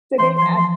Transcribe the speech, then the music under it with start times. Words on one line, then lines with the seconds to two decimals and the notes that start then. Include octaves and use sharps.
sitting at
0.19 E3 C6
0.38 F3 C6
0.57 C6